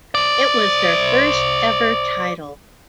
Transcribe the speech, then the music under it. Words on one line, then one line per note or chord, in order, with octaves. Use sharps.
It was their first ever title.
C5 D5